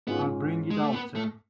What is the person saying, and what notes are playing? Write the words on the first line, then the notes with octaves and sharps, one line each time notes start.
I will bring it out, sir.
G#2 G#3 B3 C#4 F4
G#3
A3
B3
A3